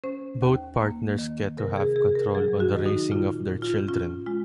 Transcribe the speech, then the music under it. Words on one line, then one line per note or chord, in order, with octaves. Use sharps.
Both partners get to have control on the raising of their children.
C#4 C5
D#2
A#3
D#3
C3 A#4
G#4
C3 G#4
A#4
F#3 G#4
F#4
D#3
D#4
A#2 F4
A#2
F4
C#4 F4
G#3 F4